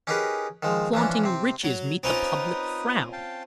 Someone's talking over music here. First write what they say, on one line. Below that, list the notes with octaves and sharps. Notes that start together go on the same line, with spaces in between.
Flaunting riches meet the public frown.
C#4 D#4 G4 G#4 A#4 B4
D#3 F3 G#3
E3 F3 C#4 D4
C3 C4
F#3
C4 C#4 D#4 F4 B4 D#6
F5 G5 A5